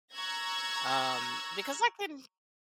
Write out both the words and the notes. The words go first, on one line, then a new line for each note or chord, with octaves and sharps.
um, because I couldn't,
A#5 C#6 E6 F#6 G#6 A#6